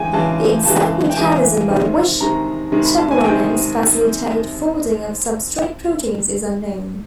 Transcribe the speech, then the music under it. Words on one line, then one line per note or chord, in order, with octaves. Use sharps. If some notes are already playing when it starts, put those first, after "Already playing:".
The exact mechanism by which chaperonins facilitate folding of substrate proteins is unknown.
Already playing: C#3 E3 G#3 G5 G#5
C#3 E3 G#3 A5
C#3 E3 G#3 A5
G5
C#3 E3 G#3 G#5
C3 D#3 G#3
C3 D#3 G#3 A#5
C3 D#3 G#3
B5
A5
G#5
C3 D#3 G#3 G5